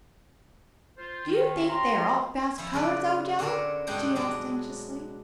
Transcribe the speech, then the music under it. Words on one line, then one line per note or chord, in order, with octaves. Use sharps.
"Do you think they are all fast colors, Ojo?" she asked anxiously.
F4 C5
D#3
G#5
C3 C#4
F#4 G5 A#5 C6
B4 C5 D#5
F3 E4
C#3 F#3 B4 D5
D3 C4 C#4 A#4 C#5 D5
G2 B2 G#3 D4 F#5 G5
F#3 G#3 D5